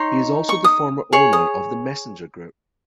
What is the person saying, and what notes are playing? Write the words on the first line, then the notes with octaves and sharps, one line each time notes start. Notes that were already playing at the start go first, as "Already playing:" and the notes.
He is also the former owner of the Messenger Group.
Already playing: D#4 C#5 C6
C#6
D#6
G#4 C#5
D#6